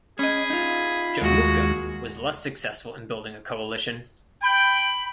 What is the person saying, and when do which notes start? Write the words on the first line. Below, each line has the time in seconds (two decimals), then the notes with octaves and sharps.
Jamukha was less successful in building a coalition.
0.19 C#4 G#4 D#5 B5
0.50 D#4 F4
1.21 D#2 G#3 F#4
4.42 G5 B5